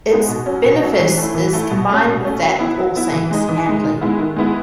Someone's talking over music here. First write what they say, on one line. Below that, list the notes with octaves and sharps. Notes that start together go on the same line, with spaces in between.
Its benefice is combined with that of All Saints, Handley.
G#3 B3 D#4
B2
F#3 C#4
B2
F#3 C#4
E3
A3 E4
E3
A3 E4
B2
A3 C#4
B2
A3 C#4
F#3
B3 E4
F#3
B3 E4
E3
G#3 D#4
E3
G#3 D#4
D#3
G#3 B3 E4
D#3
G#3 B3 E4